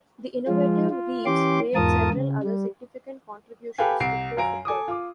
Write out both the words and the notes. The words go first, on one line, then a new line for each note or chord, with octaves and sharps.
The innovative Reeves made several other significant contributions to pro football.
F3 G#3 F4
F4
E3 C#4 G4 C6 D6
E2 G#2 F4 A#4 A5 D#6
C#3
G3
G4 A4 B4 F5 G5 G#5
C2 C7 D7
F#2 F5 G#5 A#5 D7
A4 G#5 D6 D#6
F4 D6